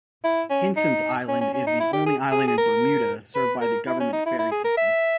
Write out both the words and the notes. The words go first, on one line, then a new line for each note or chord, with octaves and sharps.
Hinson's Island is the only island in Bermuda served by the government ferry system.
E4
C#4
D#4
C#4
C#4
C#4
D#4
E4
G4
G#4
G#4
G#4
A#4
B4
A#4
E4
C#4
D#4
E4
E4
G#4
A#4
E5